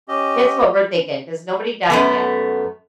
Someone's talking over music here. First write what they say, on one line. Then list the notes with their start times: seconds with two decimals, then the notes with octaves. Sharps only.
That's what we're thinking 'cause nobody died yet.
0.08 C#4 G4 D#5
1.90 F#2 A3 B3